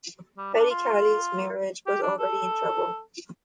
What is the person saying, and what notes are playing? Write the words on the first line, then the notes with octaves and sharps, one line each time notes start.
Peter Caddy's marriage was already in trouble.
G3
D4
F4
G4
D4
A4